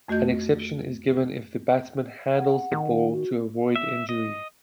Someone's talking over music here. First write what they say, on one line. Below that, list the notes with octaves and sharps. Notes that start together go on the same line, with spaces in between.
An exception is given if the batsman handles the ball to avoid injury.
F2 A3 F#4 D#5 G6
F#5
D#3
F#4
E5
D#5